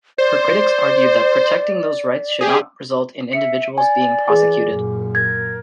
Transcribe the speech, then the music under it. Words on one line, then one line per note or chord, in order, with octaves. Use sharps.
Her critics argued that protecting those rights should not result in individuals being prosecuted.
C5 D5
G4 G#4
E5 C#7
D5 G#5
E3 G#4 G#5 D6
F#2 A#2
A#4 G#6 A#6